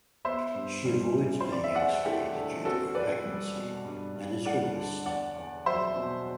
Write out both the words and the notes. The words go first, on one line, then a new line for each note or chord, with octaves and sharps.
She avoids being X-rayed due to her pregnancy, and is released.
B3 C5 E5
G2
G3
E3
C4 C5
D5
E5
E2 D5 F#5
A3 E4 G4
D3
C4 F#4 A4
E2 B4 D5
G3
B2
G2
G2
A3 D5 F#5
D3
E2 D5 F#5
E2
F#3 C5 E5
B2